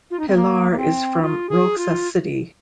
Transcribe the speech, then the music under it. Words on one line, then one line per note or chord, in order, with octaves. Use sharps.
Pilar is from Roxas City.
F4
D#4
C4
A#3
A#3
C4
F4
G#4
F4